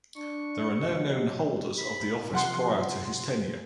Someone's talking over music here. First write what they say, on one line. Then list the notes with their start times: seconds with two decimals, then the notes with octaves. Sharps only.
There are no known holders of the office prior to his tenure.
0.16 D4 C#6
0.83 F#3 D#5
1.78 D#4 B5
2.32 C3 F3 F#5 C6